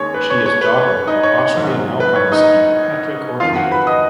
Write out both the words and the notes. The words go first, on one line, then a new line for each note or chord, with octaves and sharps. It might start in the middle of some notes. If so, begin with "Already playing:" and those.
She is daughter of Austrian alpine skier Patrick Ortlieb.
Already playing: D#2 D#3 G#3 C#4 C#5
B4
C#5
C#5
B4
C#5
D#4 D#5
C#5
C#5
A#1 G#2 D#3 F#3 A#3
B4
C#5
D#4 D#5
F#1 F2 D#3 F4 F5
F#4 F#5
B4 B5
D#5 D#6